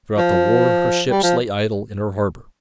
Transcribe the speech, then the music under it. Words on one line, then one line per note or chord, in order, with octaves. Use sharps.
Throughout the war her ships lay idle in her harbour.
F3
G3
F3